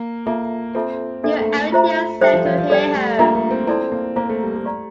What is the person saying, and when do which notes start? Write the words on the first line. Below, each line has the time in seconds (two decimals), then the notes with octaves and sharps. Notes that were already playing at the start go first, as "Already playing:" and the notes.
You owe it to yourself to hear her.
Already playing: A#3
0.26 A#3 F4 A4 E5 A5
0.75 C4 F4 A4 E5 A5
1.23 A#3 D4 A4 E5
1.40 A3
1.56 A3
1.72 F4 C5 E5 A#5
2.21 G3 A4 C5 E5 G5
2.33 F3
2.45 F3
2.58 F3
2.70 G3 A4 D5 G5
2.95 A3
3.19 A#3 D4 F4 A#4 E5 A#5
3.35 A3
3.51 C4
3.67 C4 E4 A4 D5 A5 C6
3.92 A#3
4.16 A#3 C5 F5 A#5
4.29 A3
4.43 G3
4.56 A3
4.65 G4 D5 F5 A#5